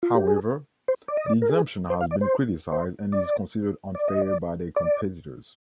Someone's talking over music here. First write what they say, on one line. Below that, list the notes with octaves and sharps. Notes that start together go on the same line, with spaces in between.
However, the exemption has been criticised and is considered unfair by their competitors.
F4
G4
G#4
C5
D5
D#5
D5
A#4
G#4
C5
F5
D5
C5
C5
D5
D5
D#5
D5
D5